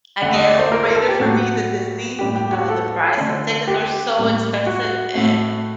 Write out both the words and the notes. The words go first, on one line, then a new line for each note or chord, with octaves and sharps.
again, overrated for me, the Disney. Uh, the price, the tickets are so expensive, and
D3 A3 F#5
D#5
D5
C5
A#4
A#4
A4
G4
A2 F#3 A#3 F#4
A2 G3 A#3 G4
G4
F#4
A4
D3 A3
G4
A2 G3 A#3
F#4
A2 A3